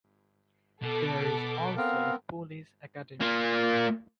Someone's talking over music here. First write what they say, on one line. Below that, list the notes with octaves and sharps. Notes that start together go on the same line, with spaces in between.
There is also a Police Academy.
B2 A4 D6
B3 C4 A#4 F5
A#3 F4